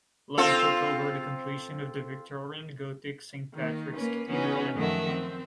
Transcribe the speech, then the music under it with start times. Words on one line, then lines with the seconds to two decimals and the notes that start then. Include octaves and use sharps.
Logue took over the completion of the Victorian gothic Saint Patrick's Cathedral in Armagh.
0.38 C4 F4 A4
3.54 D#3 A#3
3.95 A#3 C#4 B4
4.29 E3 B3 C#4 D#4 F#4 B4
4.75 F#2 D#3 F3 A3 E5 F#5
5.10 C4